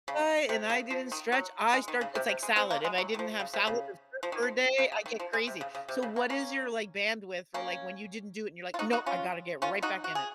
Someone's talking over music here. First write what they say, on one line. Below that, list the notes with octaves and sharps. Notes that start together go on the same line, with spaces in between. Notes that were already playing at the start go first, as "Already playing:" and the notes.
go by, and I didn't stretch, I start it's like salad, if I didn't have salad or fruit for a day, I get crazy. So what is your, like, bandwidth for, like, when you didn't do it and you're like, "No, I gotta get right back in it."
C#3
C3
C#3
F3
D#3
F#3
G#3
D#3
C#3
C3
C3
G#3
G#3 C4
A#3
G#3
F#3
D#3
F3
C#3
C3
C#3
F3
D#3
F3
C#3
C#3
D#3
F3
G#3
C3
C#3
C#3
C3
C#3
A#3
A#3 C#4
A#3 C#4
F4
D#4 F#4
D#4 F#4
C#4 F4
C#4 F4
D#4 F#4
F#4
G#4